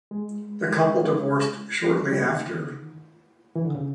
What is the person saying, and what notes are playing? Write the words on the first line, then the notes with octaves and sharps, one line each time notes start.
The couple divorced shortly after.
G#3
G#3
G3
F#3
G3
A#3
A3
D#3
E3
D3
C#3